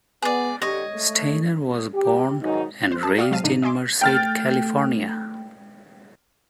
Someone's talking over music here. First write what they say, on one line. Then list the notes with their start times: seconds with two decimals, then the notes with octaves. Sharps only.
Stayner was born and raised in Merced, California.
0.22 B3 G#4 D5
0.62 D3 G4 C#5 D#5
0.95 A3
1.94 G4
2.41 G#2 D#3 F#3 D#4
2.91 C5
3.03 A5 A#5
3.17 F#4 D5 F5 G5 D#6 F6
3.31 F#3 G#3 C4 F5 A5 D#7
3.44 A2 D3 D4 D#4 D#7
3.62 D#5 E5 G#5 C6 D6
4.01 A3 G5 F6 A6